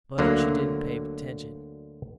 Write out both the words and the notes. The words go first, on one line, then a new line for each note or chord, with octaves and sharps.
But she didn't pay attention.
D2 D3 F#3 A#3